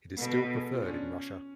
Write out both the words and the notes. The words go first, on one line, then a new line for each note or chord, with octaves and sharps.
It is still preferred in Russia.
B2 A4
B4
A4
G#4
F4
D4
C#4